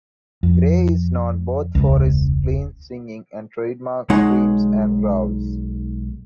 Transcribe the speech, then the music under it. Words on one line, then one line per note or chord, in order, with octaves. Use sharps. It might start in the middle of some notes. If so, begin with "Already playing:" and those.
Gray is known both for his clean singing and trademark screams and growls.
F2
E1 C#2
B1 G#3 D#4 C#5 F#5